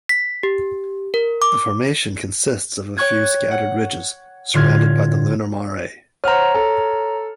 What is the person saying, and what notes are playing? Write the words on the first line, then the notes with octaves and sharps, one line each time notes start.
The formation consists of a few scattered ridges surrounded by the lunar mare.
B6
G4
A#4
D6
C#5 G5 C#6 F#6 G#6
F#5
A2 D3 F4 F6 G#6
C5 C#5 F#5 A#5 F6
A4